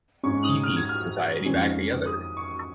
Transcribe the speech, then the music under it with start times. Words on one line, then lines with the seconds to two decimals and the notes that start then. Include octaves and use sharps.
He pieced society back together.
0.23 G#2 G#3 C#4 C#6
0.44 D#6
0.64 F6
0.76 G#6
0.89 F6
1.45 F2 D#3 G#3 C#4
2.06 D#6
2.37 C#6